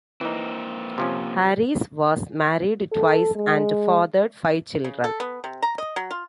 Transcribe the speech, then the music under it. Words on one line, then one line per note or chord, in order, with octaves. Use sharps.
Harris was married twice, and fathered five children.
E3 A#3 C4 D#4
C3 F3 C#4
A4
G#3
C#3
A4
B3
C3
A#5
D#5
F#3
F4